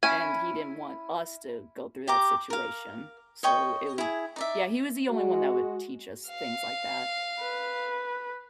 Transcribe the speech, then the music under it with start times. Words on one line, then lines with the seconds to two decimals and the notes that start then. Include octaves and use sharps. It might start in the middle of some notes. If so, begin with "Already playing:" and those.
And he didn't want us to go through that situation, so it would Yeah, he was the only one that would teach us things like that.
0.03 C#4 E4 G#5
2.08 G4 A#5 D6
2.50 A#4 F5
3.43 C#5 D#5 G5 C#6
3.98 E4 G#4
4.36 D#4 D5 E5
5.10 G#3 F#4
6.29 F5
7.40 B4